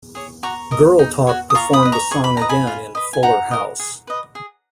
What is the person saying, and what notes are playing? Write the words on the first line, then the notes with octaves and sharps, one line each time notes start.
Girl Talk performed the song again in "Fuller House".
G#4 C#5
F#4 A#5 C#6
A#4 D#5
D#4
F#4 C#5
D#6
F4 A#5 C#6
B5 D#6
B4 D#5
A#5 C#6
G#4 C#6
B5
B4 D#5 A#5
G#5 B5
F4
B4 D#5
G#5
D#4 F#5 A#5
A#4 D#5
G#4
B4 D#5
G#4